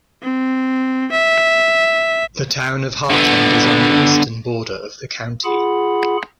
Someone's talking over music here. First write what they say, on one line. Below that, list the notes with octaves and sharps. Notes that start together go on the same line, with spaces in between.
The Town of Hartland is on the eastern border of the county.
C4
E5
D3 B3
F4 G#4 F#5 B5